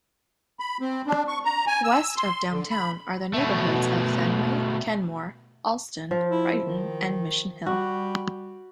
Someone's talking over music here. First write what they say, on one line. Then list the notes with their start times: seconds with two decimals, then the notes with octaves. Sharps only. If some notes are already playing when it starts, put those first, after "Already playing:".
West of downtown are the neighborhoods of Fenway Kenmore, Allston, Brighton and Mission Hill.
0.60 B5
0.80 C4
1.07 D4
1.28 C#6
1.45 A#5
1.67 G#5
1.84 E6
2.16 C6
2.51 D3
2.71 B5
3.34 B2 A3
6.11 F3
6.31 E4
6.66 D#3
7.66 G3 F#4